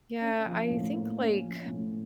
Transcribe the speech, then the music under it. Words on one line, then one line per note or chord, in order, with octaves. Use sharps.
Yeah, I think like
C#4
F3
A2
A#3
C#4
F3
A2